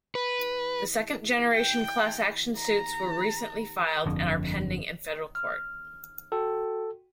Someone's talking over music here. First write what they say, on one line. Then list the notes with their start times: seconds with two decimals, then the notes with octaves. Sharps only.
The second generation class-action suits were recently filed and are pending in Federal Court.
0.15 B4
1.53 G5
2.58 A#5
4.06 G1 F2 D3
5.35 F6
6.32 F#4 A4 G5